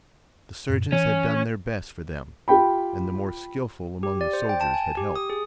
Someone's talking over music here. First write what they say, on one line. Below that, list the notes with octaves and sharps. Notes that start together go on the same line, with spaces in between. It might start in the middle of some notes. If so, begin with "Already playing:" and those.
The surgeons had done their best for them and the more skillful among the soldiers had helped.
F#2 A#2
E3 C#4
F4 G4 G5 B5
G4
D5
C5
G5
A5
G#5
G4
D#6
G#4